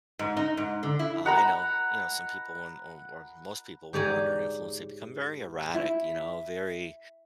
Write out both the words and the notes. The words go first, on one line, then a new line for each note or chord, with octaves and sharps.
I know, you know, some people when or or most people when they're under influence, they become very erratic, you know, very
G#2
D#4
G#2
D3
E4
F#5 A#5 B5
G#2 G4 C#5 D5 G#5 A#5
E4